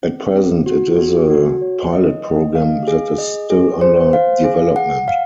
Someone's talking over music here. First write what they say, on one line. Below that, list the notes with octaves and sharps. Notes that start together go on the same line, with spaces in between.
At present it is a pilot program that is still under development.
C4
C4
F#4
F#4
F#4
C#5
D#5
D#5
F5
G#4
D#5
G#4
C5
F5
G#4
F#5
F5